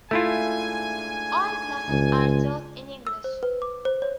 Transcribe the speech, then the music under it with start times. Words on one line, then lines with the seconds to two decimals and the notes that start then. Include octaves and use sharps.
All classes are taught in English.
0.11 G#2 A3 D4 E4 F4 G#5
1.89 C#2
3.07 E6
3.24 C5
3.43 B4
3.62 D6
3.85 C5
4.02 C#5